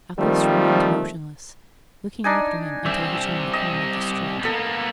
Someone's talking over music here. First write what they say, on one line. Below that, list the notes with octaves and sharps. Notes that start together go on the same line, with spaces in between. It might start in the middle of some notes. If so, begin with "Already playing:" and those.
Athos remained motionless, looking after him until he turned the corner of the street.
D#3 F3 G3 A3 A#3 C4
D4 D#4 G#5
G3 C4 E5
D#5
A#3 B3 A4